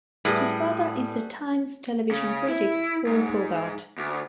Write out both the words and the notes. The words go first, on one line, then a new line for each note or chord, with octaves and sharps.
His brother is the "Times" television critic Paul Hoggart.
A2 G3 B3 G#4
C#3
E4
G#2
D2